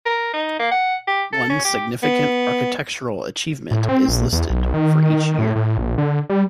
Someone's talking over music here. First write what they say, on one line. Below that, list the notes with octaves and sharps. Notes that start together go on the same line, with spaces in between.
One significant architectural achievement is listed for each year.
A#4
D#4
A#3
F#5
G4
A4
C#4
G4
B3
A2
C4
A#1
E2
B1
D#3
D#3
A2
A2
A#1
D3
G3